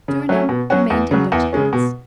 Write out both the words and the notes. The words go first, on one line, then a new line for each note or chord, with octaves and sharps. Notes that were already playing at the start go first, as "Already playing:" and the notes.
Surinam remained in Dutch hands.
C#3
F#3 A3 C#4
B2
F#3 C#4 F#4
E2
C#3 F#3
E2
C#3 G#3 C#4
B2